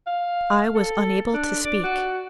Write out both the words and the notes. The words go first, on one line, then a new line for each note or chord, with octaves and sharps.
I was unable to speak.
F5
A4
D4
D5
F#4